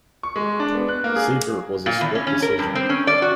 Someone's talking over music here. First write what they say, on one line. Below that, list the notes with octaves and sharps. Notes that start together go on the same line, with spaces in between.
Seibert was a split decision.
C#6
G#3
D4
B3
F#6
A#3
G#4
A#2
E2
C#4
C#4
A#4
G2
C4
C#4
D5
F#4